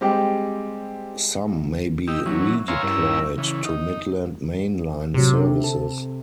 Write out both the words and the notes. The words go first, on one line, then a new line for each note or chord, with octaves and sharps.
Some may be redeployed to Midland Main Line services.
G3 G#3 C4 G4
D#4 G4 E6
E3 F#3 C#4
C#5 E5 F5 G#5 A#5 C6
G2 C#4 E4 A#4 E6
C#3 E3
D#4
A1 C3 F#3
D3
A4